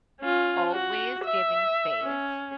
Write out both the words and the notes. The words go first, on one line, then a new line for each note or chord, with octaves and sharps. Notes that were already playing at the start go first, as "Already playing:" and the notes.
always giving space.
C#4 F4
F#4
E5
C#4